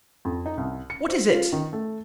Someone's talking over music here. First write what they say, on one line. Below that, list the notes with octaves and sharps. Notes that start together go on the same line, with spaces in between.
What is it?
F2
D#4
C2
C#7
C5
F4
D#3
A3